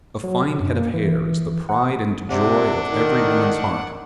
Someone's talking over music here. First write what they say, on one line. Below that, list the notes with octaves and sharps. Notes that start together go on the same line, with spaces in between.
A fine head of hair is the pride and joy of every woman's heart.
F#3
C3
F#2
A#3
E3
F#5
C3 D4 F#5
D#3